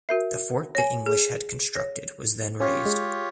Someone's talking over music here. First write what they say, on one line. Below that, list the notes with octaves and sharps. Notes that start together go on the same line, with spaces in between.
The fort the English had constructed was then razed.
F#4 A#4 E5
C#5 G#5
G#4
C#5
C#4 F4 G4 C#5
G#3